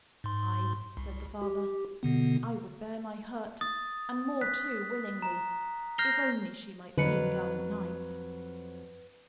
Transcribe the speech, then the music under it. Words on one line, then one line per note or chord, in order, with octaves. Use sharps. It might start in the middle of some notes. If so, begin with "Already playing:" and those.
"Aye," said the father, "I would bear my hurt, and more too, willingly, if only she might see the gallant knights."
G#2 C6
C2
G4
B2 D3 B3
D#6 A6
F#6 B6
A#5
F6 G6 A#6 C7 F7 G7
F2 D3 F#3 B4 C#7